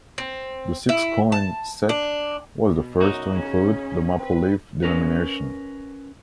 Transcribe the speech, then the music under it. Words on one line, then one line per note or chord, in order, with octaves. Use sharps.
The six-coin set was the first to include the Maple Leaf denomination.
C4
E4
A5
D4
B2
F#2 D#4 F#4
C#3 C#4
C4 B4
C#4 A#4 B4